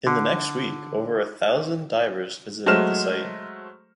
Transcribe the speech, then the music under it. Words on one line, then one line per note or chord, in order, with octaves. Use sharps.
In the next week, over a thousand divers visited the site.
D3
F#3 G#3 A3 C5 F6 E7